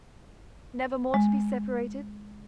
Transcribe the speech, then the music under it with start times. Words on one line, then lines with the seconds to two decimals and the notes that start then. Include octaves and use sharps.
"Never more to be separated?"
1.14 G#3